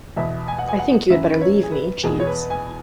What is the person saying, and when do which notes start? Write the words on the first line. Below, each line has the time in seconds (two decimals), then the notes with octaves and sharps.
I think you had better leave me, Jeeves.
0.16 E2 B2 E5
0.48 G#5
0.59 F#5
0.68 G#5
0.79 F#5
1.10 F#2 E3 E5
1.35 B4
1.41 C#5
1.63 G#4
1.72 B4
2.03 E2 B2 G#4
2.20 C#5
2.27 B4
2.50 G#5